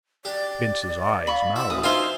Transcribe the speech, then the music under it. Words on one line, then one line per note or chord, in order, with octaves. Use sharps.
Bince's eyes narrowed.
G4 D5
F5 B5 C#6
E4 E5 F#5 C6
A1 F#4 E5 D#6
D#4 F4 C5 E5 F5 G#5